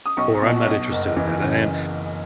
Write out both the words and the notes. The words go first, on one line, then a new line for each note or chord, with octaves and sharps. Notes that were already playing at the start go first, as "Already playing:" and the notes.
or I'm not interested in that, a and
D#6
B1 C#6
B2
B1
F#1
E3
C#3